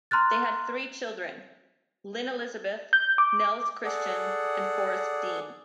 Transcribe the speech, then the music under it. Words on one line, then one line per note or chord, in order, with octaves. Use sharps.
They had three children: Lynn Elizabeth, Nels Christian, and Forrest Dean.
A#5 C6 F6 F#6 A6
G6
D6
G#4 A4 D5 F#5